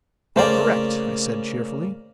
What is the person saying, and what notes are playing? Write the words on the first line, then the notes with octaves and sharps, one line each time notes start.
"All correct," I said cheerfully.
C#3 A3 A#3 C5 D5